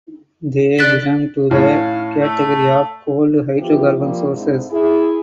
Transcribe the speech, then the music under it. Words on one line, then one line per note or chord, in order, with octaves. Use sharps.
They belong to the category of cold hydrocarbon sources.
D3 A4 D5 F#6 A6 B6
A2 C#4 F5
A3
E3 F3 B3 F4 G4
F3 G3 A#3 C4
G#2 D3 C4 D#4 E4
E4 G#4